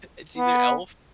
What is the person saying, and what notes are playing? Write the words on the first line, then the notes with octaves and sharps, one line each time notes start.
It's either Elf
B3